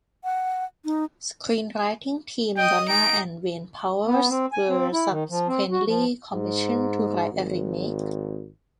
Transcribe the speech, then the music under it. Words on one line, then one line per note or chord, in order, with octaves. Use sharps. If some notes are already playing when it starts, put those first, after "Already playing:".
Screenwriting team Donna and Wayne Powers were subsequently commissioned to write a remake.
F#5
D#4
D#5 G5 D#6
D#4 D7
B3
C4
G#5
C4
E4
D#3
F3
C4
F#4
F3
G#2
G#1